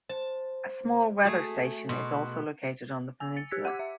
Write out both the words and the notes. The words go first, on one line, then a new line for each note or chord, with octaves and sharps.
A small weather station is also located on the peninsula.
C5 A5
A3 F#4 G#4
B2 C6
G#5 E6
A6 C#7
G4 E6 F#6 G#6 B6
F#5 D6
E5